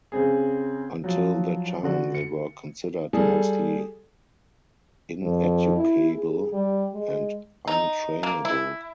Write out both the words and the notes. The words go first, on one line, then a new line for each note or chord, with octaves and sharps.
Until that time they were considered mostly ineducable and un-trainable.
C#3 C4 G#4
F3 F#3
D3 F#4
C#7
G3 G#4 A4
F2
E4
G#4
G3
G#3
D#4
A#3
E4